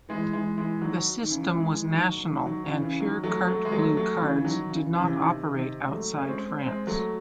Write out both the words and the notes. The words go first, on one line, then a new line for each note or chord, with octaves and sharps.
The system was national, and pure Carte Bleue cards did not operate outside France.
E3 G#3
E3 G#3
E3 G#3
D#3 F#3
D#3
C#3 E3
E3 G#3
D#3 F#3
D#3 F#3
D#3 F#3
C#3 E3
C#3 E3
D#3 F#3
F#3 A3
F#3 A3
G#3
F#3 A3
F#3 A3
C#3 E3
E3
D#3 F#3
C#3
C#3 E3
C3
C#3
C3 D#3
C3 D#3
G#3
F#3 A3
C#4
G#3 C4
G#3 C4
F#3 A3